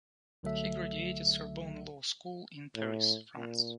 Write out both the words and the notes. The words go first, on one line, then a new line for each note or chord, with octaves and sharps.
He graduated Sorbonne Law School in Paris, France.
C2 D3 F#3 A3 A4 E5
A2
A#2